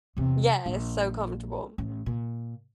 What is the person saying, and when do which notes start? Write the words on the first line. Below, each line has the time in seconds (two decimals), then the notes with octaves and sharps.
Yeah, it's so comfortable.
0.17 E2 C3
0.66 A#1
1.78 A1
2.06 A#2